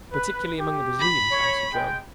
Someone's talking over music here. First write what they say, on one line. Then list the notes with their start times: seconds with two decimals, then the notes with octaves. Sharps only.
"Particularly among the Brazilians," answered Joam.
0.12 B4
0.59 G4
1.00 B5
1.31 C#5
1.73 G#3 G5